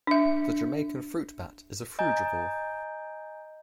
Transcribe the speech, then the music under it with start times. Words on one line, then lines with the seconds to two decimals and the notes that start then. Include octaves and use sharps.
The Jamaican fruit bat is a frugivore.
0.07 D4 E5
1.99 D#5 G#5 A#5 G6